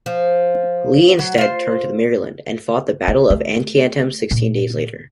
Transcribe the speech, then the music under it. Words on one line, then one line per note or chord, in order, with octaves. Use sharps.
Lee instead turned to Maryland, and fought the Battle of Antietam sixteen days later.
F3
F#3
F4 C5
F4
A3
A#2